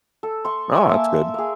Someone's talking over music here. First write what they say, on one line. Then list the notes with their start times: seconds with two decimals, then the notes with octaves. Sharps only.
Oh, that's good.
0.23 A4
0.45 C6 C#6
0.75 E5 G#5 C6 C#6
0.89 A#3 A5 E6
1.34 A#3 G#4